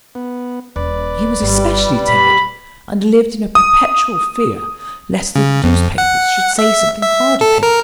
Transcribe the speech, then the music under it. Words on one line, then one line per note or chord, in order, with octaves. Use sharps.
He was especially timid, and lived in a perpetual fear lest the newspapers should say something hard of him.
B3
D#1 B4 D5
G1 G3
A#2 C4 B5
D#6
C#3
F2
F#5
E5
E5
A4
A#4